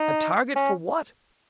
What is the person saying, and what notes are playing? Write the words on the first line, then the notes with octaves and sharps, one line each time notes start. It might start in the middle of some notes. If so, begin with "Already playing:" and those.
A target for what?...
Already playing: D#4
C#4